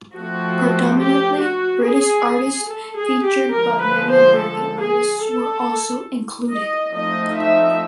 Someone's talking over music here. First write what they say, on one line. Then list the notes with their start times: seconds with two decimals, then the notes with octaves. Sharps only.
Predominantly British artists featured, but many American artists were also included.
0.15 F3 A3 C4 F#4
1.00 G4
1.42 F#4
1.84 G#4
2.69 A4
2.98 G#4
3.26 G4
3.54 D3 F3 G#3 A#4
3.82 B4
4.11 C5
4.39 A4
4.81 G#4
5.23 A4
6.51 D#5
6.93 F3 A3 C4 D#4 D#5
7.35 E5